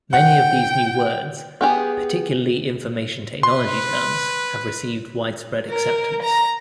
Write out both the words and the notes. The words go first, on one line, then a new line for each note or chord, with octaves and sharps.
Many of these new words, particularly information technology terms, have received widespread acceptance.
F#5 G5
B3 G4 G#4
B4 C6
A#4
A#5